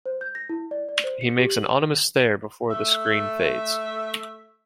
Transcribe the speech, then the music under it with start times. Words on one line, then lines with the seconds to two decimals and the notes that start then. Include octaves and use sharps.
He makes an ominous stare before the screen fades.
0.06 C5
0.21 G6
0.35 A#6
0.49 E4
0.71 D5
0.89 D5
1.04 C5
1.21 C#7
1.36 G4
1.50 F#7
2.70 A3 E5